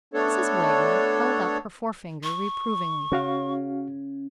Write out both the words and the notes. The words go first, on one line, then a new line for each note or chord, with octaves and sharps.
Mrs. Wagner held up her forefinger reprovingly.
A3 B3 D4 A4 C#5
C#6
C#3 C#4 F#4 F5